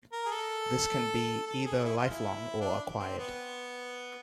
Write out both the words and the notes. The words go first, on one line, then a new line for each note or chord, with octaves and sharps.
This can be either lifelong or acquired.
A#4
G#4
A4
A4
G#4
E4
F4
E4
D4
C4
B3